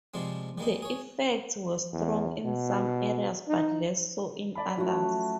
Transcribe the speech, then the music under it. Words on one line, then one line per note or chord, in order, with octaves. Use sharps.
The effects were strong in some areas but less so in others.
C3 F3 G3 G#3 C4
G3 G#3 A#3 D#4
G#4 C#5
E2
B2
D#4
D5 A5 B5
F3 F#3 A3 C#4 E4 F#4